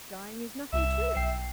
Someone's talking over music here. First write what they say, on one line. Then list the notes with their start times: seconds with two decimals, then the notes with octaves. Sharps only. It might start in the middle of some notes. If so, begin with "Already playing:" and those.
Dying is nothing to it.
0.73 C2 E5
1.16 B1 G5 C7